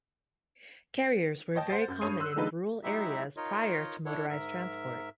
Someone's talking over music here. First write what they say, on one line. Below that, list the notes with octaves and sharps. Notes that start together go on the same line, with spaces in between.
Carriers were very common in rural areas prior to motorised transport.
C#5 D#5 G5 A5
C5 F#5 G6 A6
F#2 G6
G2 C#5 D#6 C7 D#7
C6 E6 F#6
D3 D#3 F3 G#3 D#4 B4
F#3 G#3 D#4 E4 G4 E5
D#4 F4 A#4 C#5 D#5
D4 E4 A4 C#5
G#2 A#4 E5